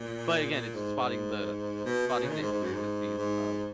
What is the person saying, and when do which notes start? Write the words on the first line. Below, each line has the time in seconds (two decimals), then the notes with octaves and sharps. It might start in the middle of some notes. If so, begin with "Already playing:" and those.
But again, it's spotting the spotting the intricacies of
Already playing: A#2
0.52 A#2
0.74 G#2
0.96 G#2
1.85 B2
2.08 B2
2.23 C#3
2.29 D#3
2.40 G#2
2.52 G#2
2.63 F#2
2.74 G#2
3.18 G#2